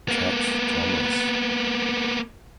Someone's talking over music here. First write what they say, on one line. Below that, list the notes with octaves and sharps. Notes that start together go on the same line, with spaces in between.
Ted Thomas.
A#3 B3